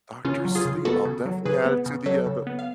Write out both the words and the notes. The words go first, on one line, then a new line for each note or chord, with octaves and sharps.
Doctor Sleep, I'll definitely add it to the, uh, the
C#3 C#4 F4
F#3
F4 G#4
C#3
B3 F#4 A4
C#3
F#3
C#3 G#4 B4
B3
C#3
F#3 A4 C#5
C#3
B3
F5